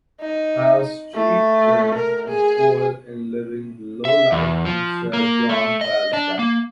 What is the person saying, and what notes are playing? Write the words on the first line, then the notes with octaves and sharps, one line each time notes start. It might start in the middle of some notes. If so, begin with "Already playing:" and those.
Hal's chief friend and foil in living the low life is Sir John Falstaff.
D#4
A3
A#4
G#4
E5
E2
F3
A#3
A3
D#5
D4
A#3